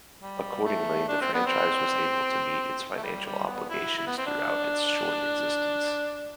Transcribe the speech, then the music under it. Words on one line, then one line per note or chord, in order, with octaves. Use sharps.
Accordingly, the franchise was able to meet its financial obligations throughout its short existence.
G3
A3
D4
C4
B3
C4
A3
G3
G3
B3
E4
E4
B3
C4
D4